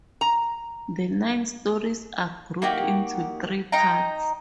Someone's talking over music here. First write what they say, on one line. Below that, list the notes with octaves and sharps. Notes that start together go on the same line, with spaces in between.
The nine stories are grouped into three parts.
A#5
A#3 D#4 F#4 G4
D#4 D#5 G5 A#5